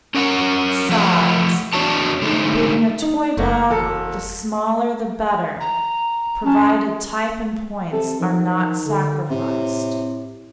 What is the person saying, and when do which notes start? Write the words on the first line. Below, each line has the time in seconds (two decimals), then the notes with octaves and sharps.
SIZE--Being a toy dog the smaller the better, provided type and points are not sacrificed.
0.14 C#4 A#4 F#5
0.89 F3 A3 F#5
1.73 E2 D4 F#4 C#5 D5 A5
2.22 D3 G#3 A3 D#4
3.02 D#4
3.37 F#1 A3 A#3
3.69 E1 A4
5.60 A#5
6.45 C#4 A5
7.92 C3 A4
8.20 D#3 F3
8.86 D3
9.30 A2 C3